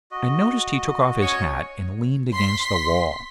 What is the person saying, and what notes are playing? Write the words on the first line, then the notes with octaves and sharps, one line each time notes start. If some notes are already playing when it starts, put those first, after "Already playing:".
I noticed he took off his hat and leaned against the wall.
F#4 D#5
C#4 C#5
C6 B6